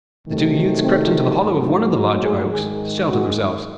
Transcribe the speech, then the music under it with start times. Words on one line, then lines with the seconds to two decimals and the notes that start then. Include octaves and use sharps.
The two youths crept into the hollow of one of the larger oaks to shelter themselves.
0.26 C3 D#3 F#3 A3
0.82 C4
1.38 G#2 F#3 A3
1.66 D#4
1.94 F#4
2.23 G#4
2.50 G#2 D#3 G#3 G#4
3.08 F#4